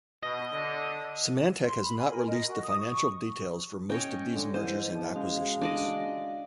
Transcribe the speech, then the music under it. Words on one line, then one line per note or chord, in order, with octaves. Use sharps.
Symantec has not released the financial details for most of these mergers and acquisitions.
B2 D#5
D3
C6
B5
G#5
A#4
D#5
F#4
D#6
C#6
C#4 C#5 D#5 G5
D3 G#3
G#2 E3 C5 D#5
E2 F3
C#3 G#3 F#4 F5
D4 D5 D#5